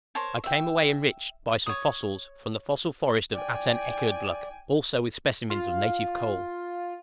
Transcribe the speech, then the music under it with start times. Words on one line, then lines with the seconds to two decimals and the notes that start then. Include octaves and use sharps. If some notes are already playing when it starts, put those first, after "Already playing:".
I came away enriched by some fossils from the fossil forest of Atanekerdluk, also with specimens of native coal.
0.15 A#4 C5 C#5 A5
0.44 E5 G5
1.66 C#5 D#6
3.33 D5 G5 G#5
5.50 F4